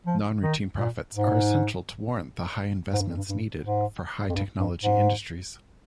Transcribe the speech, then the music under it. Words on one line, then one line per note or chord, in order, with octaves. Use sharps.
Non-routine profits are essential to warrant the high investments needed for high-technology industries.
F3
D#3
A#2
G#2
G#2
G2
F2
G2
G2
G#2
F2
G2
G2
G#2